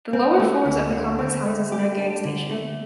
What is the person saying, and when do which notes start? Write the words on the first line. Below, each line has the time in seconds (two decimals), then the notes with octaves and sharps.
The lower floors of the complex houses Nangang station.
0.13 C4
0.40 A3
0.66 D2
0.92 D3
1.19 C4
1.46 A3
1.72 G4
1.98 D4
2.25 D3
2.51 A3